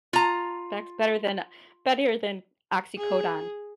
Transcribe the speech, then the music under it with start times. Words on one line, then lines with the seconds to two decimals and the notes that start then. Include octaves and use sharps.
That's better than better than oxycodone.
0.13 F4 A#5
2.97 G#4